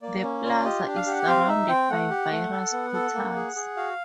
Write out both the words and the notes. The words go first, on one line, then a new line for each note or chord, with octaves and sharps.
The plaza is surrounded by various portals.
A#3 D5
C#4
F4 D5
G4 D#5
D4
F5
G4 F#5
C4 F5
D#4 E5
C4 G5
A3 F#5
G4
A3
A4
B3
A4
A#3
G#4
G#4
F#4 F5